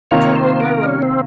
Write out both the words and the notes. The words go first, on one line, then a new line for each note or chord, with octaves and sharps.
Two hold my rope.
C3 D#3 A#3 F4 C#5
C5
A#4
C#4
C4